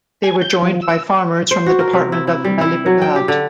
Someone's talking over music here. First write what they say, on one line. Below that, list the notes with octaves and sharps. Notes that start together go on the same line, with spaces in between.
They were joined by farmers from the department of La Libertad.
G#5
G6
F3
E6
C5
F#4
A#4
C3
E4
E4
G3
E4
F#3
G5
G4
D3